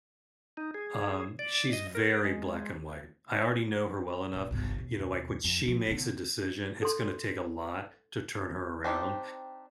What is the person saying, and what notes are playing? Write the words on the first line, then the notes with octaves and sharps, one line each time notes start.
um, she's very black and white. I already know her well enough, you know, like, when she makes a decision, it's gonna take a lot to turn her around,
D#4
G#4
D5
D#5
A#4
G#3
D#1
G1 C2
D#2 B2
F2
F3 G#3
B1 D3
A4 C6
C4 D4 D#4 G4